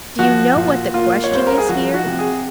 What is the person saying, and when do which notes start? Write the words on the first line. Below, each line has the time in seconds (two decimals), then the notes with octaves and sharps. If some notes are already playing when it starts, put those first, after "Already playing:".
Do you know what the question is here?
0.19 F3 F#4
0.56 A#2
0.94 A#3 F4
1.24 C#5
1.31 C2 C5
1.47 A#4
1.58 G#4
1.69 F3 F#4
1.94 F#4
2.06 C3
2.19 G#4